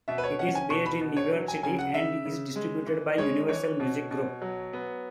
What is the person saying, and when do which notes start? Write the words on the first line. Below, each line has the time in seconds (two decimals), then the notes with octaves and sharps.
It is based in New York City and is distributed by Universal Music Group.
0.08 B2 E5
0.18 B4
0.24 C#5
0.39 C#4 F#5
0.55 G#5
0.70 B2 C#6
0.86 B5
1.01 B2
1.16 C#5
1.32 F#3
1.48 G#5
1.63 C#3 G#5
1.79 F#5
1.93 C#3 E5
2.25 C#3
2.56 G#3
2.87 E3
3.18 G#3 C#5
3.49 E3 C#5
3.80 B2
4.11 B2
4.42 F#3
4.73 B3